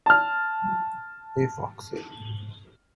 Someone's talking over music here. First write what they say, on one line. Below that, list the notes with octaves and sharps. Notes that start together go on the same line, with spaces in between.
Hey Foxy!
A5 F6